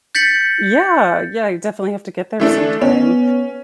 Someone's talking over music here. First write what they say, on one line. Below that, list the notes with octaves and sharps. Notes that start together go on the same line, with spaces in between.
Yeah. Yeah, I definitely have to get there sometime.
G6 A6 B6 C#7 F#7
E3 A3 D4
B3 C#4